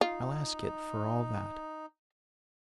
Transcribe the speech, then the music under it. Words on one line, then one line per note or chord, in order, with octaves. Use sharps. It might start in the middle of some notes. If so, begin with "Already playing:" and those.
'I'll ask it for all that.
D#4 F4